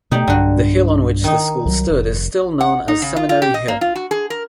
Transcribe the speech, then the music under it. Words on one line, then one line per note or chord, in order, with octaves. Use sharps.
The hill on which the school stood is still known as Seminary Hill.
B2 A3 D#4 G4 D5
B1 G2 D3 F#4
D#3 D#4
C2 F#3
F1
F#5
D#4
C#3
F4
F4
G4
D#5
A#3
F4
F#4
G#4
A#4